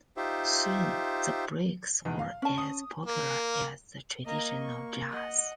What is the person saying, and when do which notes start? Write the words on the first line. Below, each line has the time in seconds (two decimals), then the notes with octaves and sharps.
Soon the breaks were as popular as the traditional jazz.
0.17 D#4 F4 G4 C5 E5
2.05 E2 G#2 B2
2.19 F5
2.42 C#4 A5
2.58 D#6
3.05 A#3
4.26 A#3 D#5 A#5
4.62 C#6
5.10 D#5 F#5